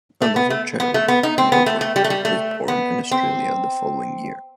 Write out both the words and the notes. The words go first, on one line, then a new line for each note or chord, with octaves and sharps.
Another child, Norbert, was born in Australia the following year.
A3
B3
A3
B3
A3
B3
D#4
C4
B3
A3
A3
G3
A3
G3
A3
B3
C4